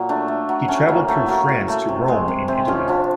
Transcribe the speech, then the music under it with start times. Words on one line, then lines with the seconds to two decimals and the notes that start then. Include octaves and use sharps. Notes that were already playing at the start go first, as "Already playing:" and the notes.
He travelled through France to Rome in Italy.
Already playing: A#2 F#3
0.09 A3 D4
0.28 A3
0.49 F#3
0.68 A3 C#4
0.88 A2 A#3
1.08 F#3 A3
1.28 F#3 A#3
1.49 A2
1.68 A3
1.89 C3
2.08 G#3
2.28 C3
2.48 C3 C4
2.68 F3 C#4
2.88 F3 D4